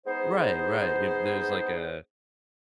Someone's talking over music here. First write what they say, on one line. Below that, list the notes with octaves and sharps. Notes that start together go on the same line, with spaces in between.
Right, right. Y if there's like a
G#3 B3 D#4 G#4 C5